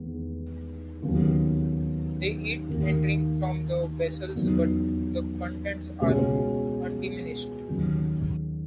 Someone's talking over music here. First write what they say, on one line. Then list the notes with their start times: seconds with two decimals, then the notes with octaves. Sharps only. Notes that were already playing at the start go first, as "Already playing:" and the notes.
They eat and drink from the vessels, but the contents are undiminished.
Already playing: E2 D#3 G#3 B3
1.02 D#2 C#3 F#3 B3
2.69 D#2 D#3 A#3
4.35 E2 C#3 F#3 B3 D#4
6.01 C#2 B2 G#3 C#4 F#4
7.68 D#2 C#3 F#3